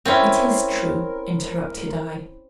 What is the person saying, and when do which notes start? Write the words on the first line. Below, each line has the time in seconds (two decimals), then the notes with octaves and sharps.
'It is true,' interrupted I.
0.06 C4 C#4 E4 A#4